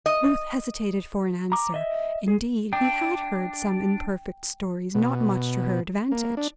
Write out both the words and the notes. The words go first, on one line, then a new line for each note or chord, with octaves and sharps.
Booth hesitated for an answer; indeed, he had heard some imperfect stories, not much to her advantage.
D#5
A#5 D6
D#5 E5
G#4
D4 G5
B2
A#3
D4